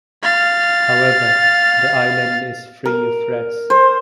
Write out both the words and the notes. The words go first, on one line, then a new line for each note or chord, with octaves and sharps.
However, the island is free of rats.
F5 A6
A#4
C5